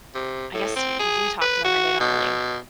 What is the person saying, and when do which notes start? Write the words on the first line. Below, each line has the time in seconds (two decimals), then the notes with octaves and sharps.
I guess you you do talk to them and they don't really
0.15 C3
0.54 A2
0.76 C4
0.99 G#4
1.41 B4
1.64 F#4
2.00 B2